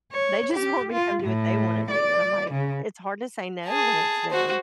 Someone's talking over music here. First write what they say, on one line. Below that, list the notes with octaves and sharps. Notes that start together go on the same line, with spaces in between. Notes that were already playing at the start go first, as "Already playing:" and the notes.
They just want me to come do what they wanna do, and I'm like, "It's hard to say no when it's them."
C#5
G4
F4
A2
D5
C#3
G#4 A5
F#4 C5